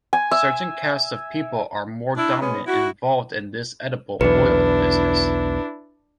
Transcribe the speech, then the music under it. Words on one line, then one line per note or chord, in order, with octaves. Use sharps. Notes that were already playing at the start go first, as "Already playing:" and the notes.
Certain cast of people are more dominant and involved in this edible oil business.
G#5
E5
D4 E4
G#3 B3 C#4
E4 F#4
B1 E2 D4 E4 B4